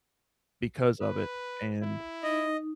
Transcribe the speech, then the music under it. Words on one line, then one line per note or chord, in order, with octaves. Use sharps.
because of it. And
B4
E4
D#4 D#5